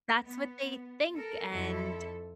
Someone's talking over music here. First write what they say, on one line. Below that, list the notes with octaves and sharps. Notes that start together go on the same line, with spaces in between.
That's what they think. And,
B3
A4 A#4
F2 E4 A4